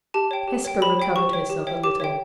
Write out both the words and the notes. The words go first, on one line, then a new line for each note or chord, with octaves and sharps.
Hesper recovered herself a little.
G4 A5
C#5 G5
G4
C#5 G5
G4 B5
C#5 G5
G4 C#6
C#5 G5
G4
C#5 E5 G5
G4 D6
C#5 E5 G5